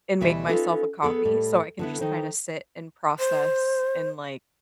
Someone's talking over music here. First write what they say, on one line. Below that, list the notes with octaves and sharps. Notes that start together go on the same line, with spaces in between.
and make myself a coffee so I can just kinda sit and process and, like,
D2 B2 E3 G3 E5
C#4 D#4 F4 A4 B4
B3 G#4 A4
A2 G3
D3 B3 E4
D#3 D#4 C5
C5